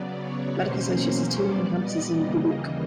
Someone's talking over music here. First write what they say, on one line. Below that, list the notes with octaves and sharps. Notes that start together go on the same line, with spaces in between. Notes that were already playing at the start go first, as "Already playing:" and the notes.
Medical Associates has two main campuses in Dubuque.
Already playing: C#3 F#3 B3 D5
C#5
E2 B2 F#3 A#3 C#4 C5
A#2 G3 B3 D5
D#5
D#2 C#3 E3 G3 A#3